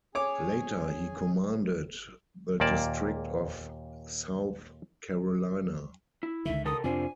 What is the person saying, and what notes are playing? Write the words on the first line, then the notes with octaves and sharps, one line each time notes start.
Later he commanded the district of South Carolina.
C#4 G#4 C#5 G#5 D6
D#2 A#2 A#3 D5 A5
E4
C#2 D3 D#3 E5
C3 A4 A#4 D#6
F2 C3 F3 D4 F4 C5 G#5